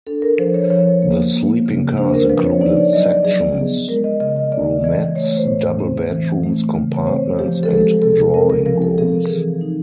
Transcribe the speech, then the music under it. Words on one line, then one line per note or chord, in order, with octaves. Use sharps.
The sleeping cars included sections, roomettes, double bedrooms, compartments, and drawing rooms.
D4 A4
A#4
F3 C5
C#5
F3 C#5
A#3
A#3
C#3
D4 C5
A#4
F3 B4
C#5
D#4 D5
D5
F#3 D#5
D5
F#3 G#4
B3
G#3 A#4
D#5
C#3 D#5
D#5
C#3 D5
E3 D#5
A3 C#5
C5
A2
C4
E3
A3
C#3
C#5
C4 C5
F3 G4
A4
G#3 G#4
C3 A4
C4 A#4
A#4
F3 A#4
A4
C4 G#4
E3
D#4